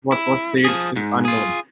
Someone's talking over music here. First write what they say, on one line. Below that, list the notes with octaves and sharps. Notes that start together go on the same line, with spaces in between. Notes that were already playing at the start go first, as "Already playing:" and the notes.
What was said is unknown.
E4
F3 G#4
G#2
F4 G#4